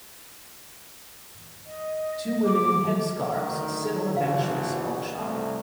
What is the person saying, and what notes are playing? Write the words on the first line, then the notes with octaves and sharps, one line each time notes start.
Two women in headscarves sit on a bench in a small shop.
D#5
D6
D2 D3 D#3
A#1 E3 F#4 F5
C2 A3